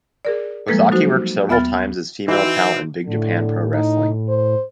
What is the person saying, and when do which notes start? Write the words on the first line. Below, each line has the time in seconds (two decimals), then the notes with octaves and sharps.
Ozaki worked several times as female talent in Big Japan Pro Wrestling.
0.25 G#4 A#4 D5
0.68 F3 G3 G#3 A#3 A4 B4
0.91 F#3 D#4 F#4 C5
1.49 D#2 B3 E5 B5 F6 A6
2.28 E3 C4 D#4 F#4
3.06 A2 D3
3.73 D#4
4.29 C5